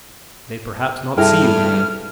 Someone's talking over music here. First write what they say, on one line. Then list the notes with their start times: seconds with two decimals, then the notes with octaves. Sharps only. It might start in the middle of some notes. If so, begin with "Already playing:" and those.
"I may perhaps not see you again..."
1.17 G2 E4 G#4 A4 E5 G5 A5 F6